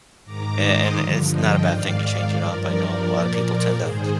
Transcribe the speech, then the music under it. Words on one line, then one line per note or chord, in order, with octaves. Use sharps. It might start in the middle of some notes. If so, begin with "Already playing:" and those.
a and it's not a bad thing to change it up. I know a lotta people tend to,
G#2 D#3 A#5 D6
C6 D#6
G2 D3 F3
D#5 G5
G#2 D#3 D5 F5
G2 F3 A#4 D5
A#4 D5
A#2 F3
G#2 D#3 G#4 C5